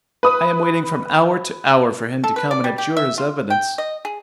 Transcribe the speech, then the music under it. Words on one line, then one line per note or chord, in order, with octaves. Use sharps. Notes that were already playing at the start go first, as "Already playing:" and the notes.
I am waiting from hour to hour for him to come and abjure his evidence.
B4 D#6
A4
B4
D5
G3
G4
E5
F4
G5
D#5
G#4